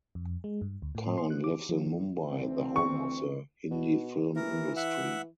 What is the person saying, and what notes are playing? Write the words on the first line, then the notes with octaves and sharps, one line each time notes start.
Khan lives in Mumbai, the home of the Hindi film industry.
F2
G#3
G2
D2
A2
C6
F#6
D6
F3
E3
D2 E3 C4
C#6
B2
E3 A#4
E5 F#5